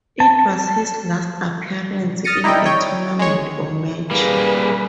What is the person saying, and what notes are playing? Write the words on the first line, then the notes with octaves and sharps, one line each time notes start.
It was his last appearance in a tournament or match.
A5
D#6 F6 A6 A#6 C#7 D#7
D#4 E4 D5 D#5 G5
C#5 G5
G#3 C#5
G3 A#3 G#4 B4